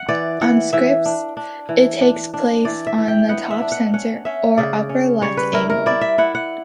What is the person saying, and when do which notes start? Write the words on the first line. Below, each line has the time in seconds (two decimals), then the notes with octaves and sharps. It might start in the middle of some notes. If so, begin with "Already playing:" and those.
On scripts it takes place on the top center or upper left angle.
Already playing: F#5
0.09 E3 D5
0.41 E3 F#5
0.73 E3 E5
1.05 D4
1.37 D4
1.69 E3
2.01 D4
2.34 D4
2.65 E3 D5
2.87 E5
2.98 E3
3.08 G5
3.29 B3 F#5
3.51 E5
3.62 D4
3.72 F#5
3.94 C#4 F#5
4.25 C#4 E5
4.58 C#3 D5
4.89 C#4
5.22 G3 C#5
5.37 B4
5.53 E4 A#4
5.70 A#4
5.86 E4 D5
6.01 E5
6.18 E4 F#5
6.35 F#5